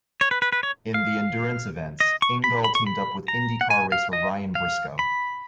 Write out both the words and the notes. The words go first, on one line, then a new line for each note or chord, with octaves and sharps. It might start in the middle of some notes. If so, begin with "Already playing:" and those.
In the Endurance events, Ingall teamed up with IndyCar racer Ryan Briscoe.
C#5
B4
B4
B4
C#5
F5
D#5
C#6
B5
B5
C#6
B5
A#5
F#5
G#5
F5
D#5
F5
B5